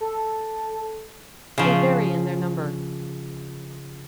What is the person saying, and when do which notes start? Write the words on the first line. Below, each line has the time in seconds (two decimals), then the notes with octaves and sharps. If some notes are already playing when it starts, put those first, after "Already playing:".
They vary in their number.
0.01 A4
1.58 C#3 F3